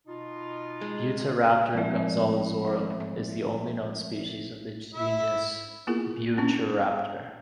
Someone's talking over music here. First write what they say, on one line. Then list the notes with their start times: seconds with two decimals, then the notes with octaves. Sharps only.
"Buitreraptor gonzalezorum" is the only known species of the genus "Buitreraptor".
0.07 B2 D#4 F4
0.81 G#3
1.75 F3 G#3 C4 A#4 D5 E5
4.94 E4 E5
5.87 A#3 B3 E4 F4 G#4 A#4
6.37 A#3 B3 C#4 D4 E4 A#4